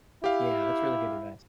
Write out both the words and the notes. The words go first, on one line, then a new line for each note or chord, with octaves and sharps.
Yeah, that's really good advice.
E4 G4 F5